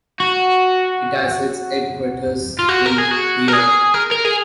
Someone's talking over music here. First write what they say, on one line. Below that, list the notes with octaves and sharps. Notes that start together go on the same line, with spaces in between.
It has its headquarters in Pierre.
F#4
F4
F#4
A#4
G#4
F#4
A#4
G#4
A#4
A#4
G#4